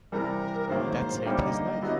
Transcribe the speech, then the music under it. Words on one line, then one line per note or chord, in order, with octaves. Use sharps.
That saved his life.
C3 E3 G3 A#4
G#2 D#3 F#3 A#3 C5
D3 G3 A#3 D#4 G4 C#5
C#5
D#5
D3 F#3 B3 E4 G4